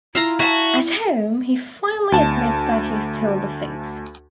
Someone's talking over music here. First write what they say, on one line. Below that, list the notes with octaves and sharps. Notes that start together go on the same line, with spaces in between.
At home he finally admits that he stole the figs.
E4 F4 E5 F5 A#5
F#4 E5 F5 G#5 A5
D2 A5